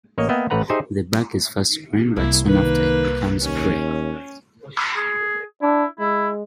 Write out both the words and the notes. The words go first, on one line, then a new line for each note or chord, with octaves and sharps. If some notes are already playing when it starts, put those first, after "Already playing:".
The bark is first green, but soon after it becomes gray.
A1 A#3 C#5 D#5
A#3 B3 D#5 E5 G5
A1 A3 B4 F#5 A#5
D#4 G4 G#4 C5 E5
C2 A#3 E4
D#3 A#3 B4
D#2 C#4
G#4
D4 E4
G#3 E4